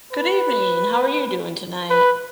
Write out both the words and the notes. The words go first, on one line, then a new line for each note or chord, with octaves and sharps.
Good evening, how are you doing tonight?
B4
B4